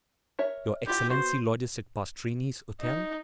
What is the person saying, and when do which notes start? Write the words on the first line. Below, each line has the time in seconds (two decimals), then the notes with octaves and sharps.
"Your excellency lodges at Pastrini's hotel?"
0.39 A#4 C#5 E5
0.87 E4 F4 G4 F#5
1.09 B3 F#4 C5
2.81 D#4